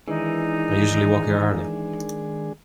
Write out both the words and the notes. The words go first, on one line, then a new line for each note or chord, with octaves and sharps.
I usually walk here early.
D#3 E3 G#3 D4 D#4 G#4